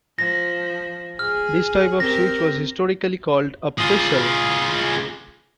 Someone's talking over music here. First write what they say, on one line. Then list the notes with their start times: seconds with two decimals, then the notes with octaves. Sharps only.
This type of switch was historically called a "pressel".
0.19 F3 A#6
1.19 G#4 F6
2.00 C4 G4 A#4 A#6
3.78 F4 G#4